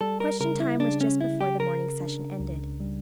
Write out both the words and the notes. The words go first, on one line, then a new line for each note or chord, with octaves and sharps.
"Question time" was just before the morning session ended.
G3 A4
A#4
C#3 A#4
E4
C#3 D4
C#4
C#4 E4
G4
C#3 A#4
D4
C#2
G3